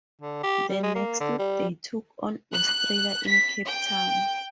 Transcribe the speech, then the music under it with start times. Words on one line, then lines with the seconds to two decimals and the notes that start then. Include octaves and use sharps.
The next week they took on Australia in Cape Town.
0.21 D3
0.43 G4
0.69 G3
0.83 G#3
0.96 A#3
1.20 D3
1.39 G3
2.53 F#6
3.25 B6
3.67 G5